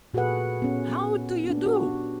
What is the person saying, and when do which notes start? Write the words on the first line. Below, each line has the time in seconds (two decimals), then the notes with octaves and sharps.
"How do you do!"
0.14 A#2 F#4 G#4 A4 B4 F#5
0.62 B3 C#4
1.45 B3 D4
1.66 F#4 G4